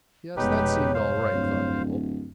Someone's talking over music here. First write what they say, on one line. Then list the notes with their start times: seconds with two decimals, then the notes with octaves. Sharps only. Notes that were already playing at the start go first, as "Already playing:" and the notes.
Yes--that seemed all right, thought Mabel.
0.37 F1 B2 G#3 D#4 G4 B4 C#5
0.94 G2 C5 F5
1.35 D1